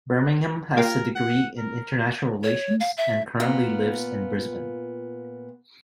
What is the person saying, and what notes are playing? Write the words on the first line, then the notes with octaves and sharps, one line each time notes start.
Birmingham has a degree in international relations and currently lives in Brisbane.
A#3 F4 G4 A#4
F#5
A#4
C#5
F5
E5
A#2 B3 F4